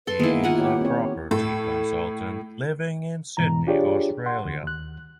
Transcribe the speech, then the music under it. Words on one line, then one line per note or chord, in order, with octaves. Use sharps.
He is a property consultant living in Sydney, Australia.
A4 B4 C6
D#3 G#3 A#3 B3 E4
A#3 D#4 F4 F#5 G#5
G4 C#5
C4 C#5
A2 A4
G#2 B2 E3 A#5
D4 F4 G4 G#4 C#5 D5
F#5 C6
D2
D#2 F#6